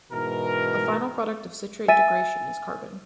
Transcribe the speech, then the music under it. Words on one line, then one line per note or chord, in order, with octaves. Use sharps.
A final product of citrate degradation is carbon.
G#2 B2 E3 A#4
E5 G#5 A6 D#7